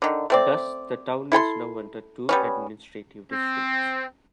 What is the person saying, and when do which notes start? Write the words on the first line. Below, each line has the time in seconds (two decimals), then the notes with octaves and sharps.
Thus, the town is now under two administrative districts.
0.02 D3 D#3
0.30 A3 C4 D5
1.32 E4 A4 G5 C6
2.29 G3 B3 C#4
3.32 C4